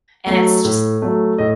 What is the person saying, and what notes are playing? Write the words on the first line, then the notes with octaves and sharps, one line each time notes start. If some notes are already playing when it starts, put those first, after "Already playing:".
And it's just
F#3 A3
A2
F#3 A3
A2 D#5